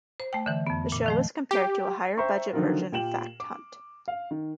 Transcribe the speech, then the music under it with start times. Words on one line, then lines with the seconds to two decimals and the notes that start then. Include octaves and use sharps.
The show was compared to a higher budget version of "Fact Hunt".
0.20 C5
0.33 A3 G5
0.46 D3 E3
0.67 F2 B3
0.92 A#2
1.06 D#3 F3 A3
1.51 G4
2.18 C5 E5 G5 A#5 C#6
2.53 D3 D#3 F3 F#3 F4 A#4
2.92 A#2 G4 G5 E7 F#7
3.40 D6
4.08 F5
4.31 D#3